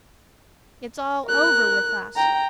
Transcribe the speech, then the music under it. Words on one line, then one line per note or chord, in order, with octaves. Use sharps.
It's all over with us.
A#4 F#6
G5 A#5